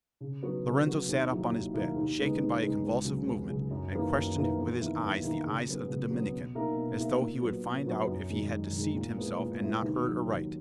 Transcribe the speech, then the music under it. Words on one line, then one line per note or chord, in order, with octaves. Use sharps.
Lorenzo sat up on his bed, shaken by a convulsive movement, and questioned with his eyes the eyes of the Dominican, as though he would find out if he had deceived himself and not heard aright.
C#3
F#3 B3 F#4
C#3
F#3 B3 F#4
D#2
D#3 F#3 A#3 E4
D#2
D#3 F#3 A#3 E4
D#2
C#3 G#3 B3 D#4
D#2
C#3 G#3 B3 D#4
C#2
C#3 F#3
C#2
C#3 F#3
F#2
D#3 A#3 E4 B4
F#2
D#3 A#3 E4 B4
E2
D#3 A#3 E4
E2
D#3 A#3 E4
C#3
F#3 B3
C#3
F#3 B3
B2
A#3 D#4 A#4 E5
B2
A#3 D#4 A#4 E5
A#2
F#3 B3 F#4
A#2
F#3 B3 F#4
F#2
D#3 G#3
F#2
D#3
G#3
A#2
G#3 B3 E4
A#2
G#3 B3 E4
D#2
D#3 F#3
D#2